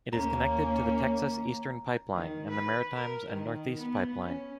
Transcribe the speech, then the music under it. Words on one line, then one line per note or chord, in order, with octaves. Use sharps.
It is connected to the Texas Eastern Pipeline and the Maritimes and Northeast Pipeline.
D#2 A#3 C#4 A#5
D#3
B4
A#4
D#3
B3
C#4